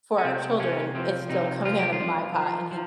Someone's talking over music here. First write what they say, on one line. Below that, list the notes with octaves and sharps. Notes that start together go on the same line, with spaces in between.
for our children, it's still coming outta my pot, and he
C#4
C3 C4
C3 C#4
F3 C4
C3 D#4
F3 F4
G4
F4
F3
F3
F3